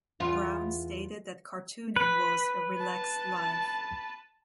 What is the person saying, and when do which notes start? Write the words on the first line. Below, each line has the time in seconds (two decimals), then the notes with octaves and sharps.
Brown stated that cartooning was "a relaxed life".
0.20 E2 F4
1.96 B4 B6
2.79 A5